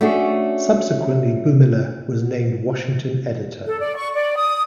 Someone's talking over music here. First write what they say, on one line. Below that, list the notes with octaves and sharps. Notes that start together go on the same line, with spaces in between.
Subsequently, Bumiller was named Washington editor.
A3 C#4 D4 F#4 G#4
A4
D5
C#6
D5
D#6